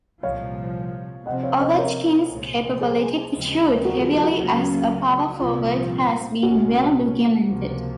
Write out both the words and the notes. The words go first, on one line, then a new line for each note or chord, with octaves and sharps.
Ovechkin's capability to shoot heavily as a power forward has been well documented.
C2 A#2 F3 C#5 F5
C3 F3 C4 D#5 F#5
C#5 F5
C5 D#5
A#4 C#5
C2 A#2 F3 G#3
G#4 C5
D#2 C#3 F3 G#3 C4
F#4 A#4
F4 G#4
F4 G#4
F#4
C#2 C#3 F#3 A#3 C#4
C2 A#2 F3 C4 F4
C2 A#2 G#3 C#4 F#4
C#2 C3 F3 A#3